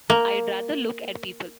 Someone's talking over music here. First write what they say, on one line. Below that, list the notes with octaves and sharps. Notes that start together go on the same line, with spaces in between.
I’d rather look at people.
A#3